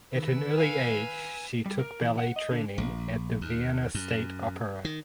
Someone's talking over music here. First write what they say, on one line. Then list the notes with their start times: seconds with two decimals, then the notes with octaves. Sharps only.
At an early age she took ballet training at the Vienna State Opera.
0.15 D#3 B4 E6
0.57 F5 G#5
1.66 G3
1.79 A#4
2.01 E3
2.18 F#5
2.36 D#5
2.51 D3
2.78 A#1
3.41 D#2
3.95 F#2
4.85 D#3